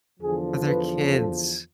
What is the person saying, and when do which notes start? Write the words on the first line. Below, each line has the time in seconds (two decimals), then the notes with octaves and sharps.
But they're kids.
0.20 E2 D3 F3 G#4
0.65 B4
1.10 A4